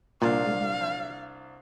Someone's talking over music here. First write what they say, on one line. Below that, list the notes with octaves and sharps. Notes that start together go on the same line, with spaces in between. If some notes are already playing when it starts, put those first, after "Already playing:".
Mhm, bye.
C2 A#2 D4 F5